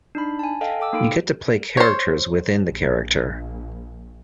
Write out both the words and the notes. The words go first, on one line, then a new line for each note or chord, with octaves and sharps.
You get to play characters within the character.
D4 D#4 B5
G#5 A5
A4 D#5 F5 G5 A5
A4 F5 G5 D6 E6
A#3 D#4 A4 B5 D7
C5 C#5
A#1